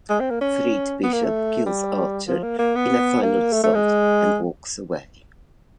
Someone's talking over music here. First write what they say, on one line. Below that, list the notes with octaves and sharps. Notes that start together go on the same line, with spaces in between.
Freed, Bishop kills Archer in a final assault and walks away.
G#3
C4
A#3
C#4
B3
A#3
A3
G3
F3
A#3
A#3
B3
A#3
A3
A3
G#3